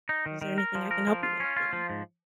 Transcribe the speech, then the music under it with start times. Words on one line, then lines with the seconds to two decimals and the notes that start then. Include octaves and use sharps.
Is there anything I can help you with, and"
0.09 D#4
0.26 D#3
0.42 D#3
0.58 A#4
0.75 F3
0.91 A#4
1.07 F3
1.23 F4
1.40 C#4
1.56 F4
1.73 F3
1.90 G#2